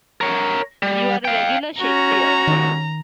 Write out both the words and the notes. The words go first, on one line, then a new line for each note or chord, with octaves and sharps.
You're a regular Shakespeare!
A#4 C#5
G3
F5 G5
C#4 F#4 A#5
D#3